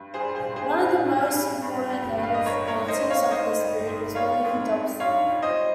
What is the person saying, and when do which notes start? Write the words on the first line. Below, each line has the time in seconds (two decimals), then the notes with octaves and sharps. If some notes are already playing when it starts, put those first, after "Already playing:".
One of the most important native painters of this period was William Dobson.
Already playing: G2
0.14 G#4 C5
0.21 G3
0.35 G#4 C5
0.49 G2
0.56 G#4 C5
0.78 G3
1.05 G2
1.34 G3
1.62 G2
1.90 G3
2.18 G2
2.23 F5
2.34 D#5
2.46 G3 A#4 C#5
2.68 A#4 C#5
2.75 G#2
2.88 C5 D#5
3.02 G3
3.10 C#5 F5
3.30 G#2 C5 D#5
3.60 G3
3.87 G#2
4.15 G3 C#5 F5
4.44 G#2
4.72 G3
5.00 G#2 C#5 F5
5.28 G3
5.42 C5 D#5